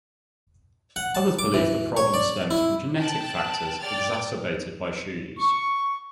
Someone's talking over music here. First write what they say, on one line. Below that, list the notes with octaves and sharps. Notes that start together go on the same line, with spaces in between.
Others believe the problem stems from genetic factors, exacerbated by shoe use.
F#5
A5
D6
E3
C#5
D5
E4
G5 A5 F#6
D5 G5 F6 A6
C#6